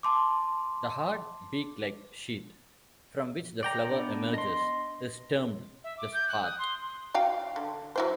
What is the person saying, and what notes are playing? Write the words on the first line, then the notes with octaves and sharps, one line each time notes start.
The hard, beak-like sheath from which the flower emerges is termed the "spathe".
A5 C6 D6
D5 G5 A#5
B3 D4
D#5 C6
E5
D6
G6
F#6
D#6
C6
F#4 F5 G5
D3
F#3 E4 C5